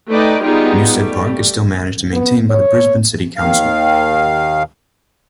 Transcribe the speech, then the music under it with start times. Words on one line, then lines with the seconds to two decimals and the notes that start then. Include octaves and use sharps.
Newstead Park is still managed and maintained by the Brisbane City Council.
0.11 A3 D#4 B4 D5 D#5 G5
0.41 G3 B3 D#4 F4 G#4
0.92 G3 A3
2.13 B3
2.50 C#5
3.37 D#2 D#3 F5